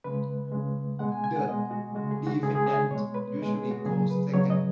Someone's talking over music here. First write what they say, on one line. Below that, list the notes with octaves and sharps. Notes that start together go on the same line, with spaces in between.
The defendant usually goes second.
C#3 G#3 B4
C#3 G#3
B2 G#3 F#5
G#5
G#5
F#5
B2 G#3 D#5
F#4
C#3 G#3 F#4
G#4
F#4
C#3 G#3 G#4
G#4
G#4
B2 G#3 C#5
B4
B2 G#3
G#4
F#4
C#3 F#3 G#4
B4
C#3 F#3 C#5
D#5